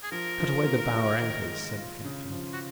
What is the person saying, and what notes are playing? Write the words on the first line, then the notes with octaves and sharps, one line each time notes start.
"Cut away the bower anchors," said the captain.
G#4
F3 A#4
F3
A#3
F4
D#3
G#3
F4
C#3
F3
F#4